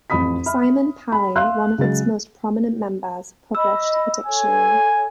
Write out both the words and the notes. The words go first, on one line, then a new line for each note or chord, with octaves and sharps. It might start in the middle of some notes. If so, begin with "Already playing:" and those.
Simin Palay, one of its most prominent members, published a dictionary.
A1 F2 B5 D#6 B6
E5 B5 F6
B5
E5 F5 C6 E6 F#6
C#3 F#3 G#3 A6
D#5 B5 E6
A4 C#5 G#5